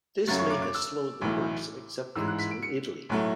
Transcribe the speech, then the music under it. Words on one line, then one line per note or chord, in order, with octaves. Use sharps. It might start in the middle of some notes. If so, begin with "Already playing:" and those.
This may have slowed the work's acceptance in Italy.
F#2 C#3 F#3 A3 A6
C#6
D6
D6
E6
B1 A2 E3 A3
A1 G#2 E3 G#3 E6
F#6
B6
D7
C#7
B1 A2 F#3 A3